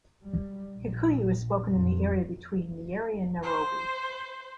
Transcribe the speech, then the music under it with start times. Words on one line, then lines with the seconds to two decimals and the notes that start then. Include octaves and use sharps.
Kikuyu is spoken in the area between Nyeri and Nairobi.
0.22 G3
0.76 A#1
1.68 F2
3.43 C5